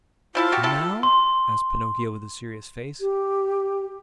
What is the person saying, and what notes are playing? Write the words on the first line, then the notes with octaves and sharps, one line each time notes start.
"And now?" asked Pinocchio with a serious face.
F3 E4 F4 A4
F#4 G4
E4 G4 A4
C6
G4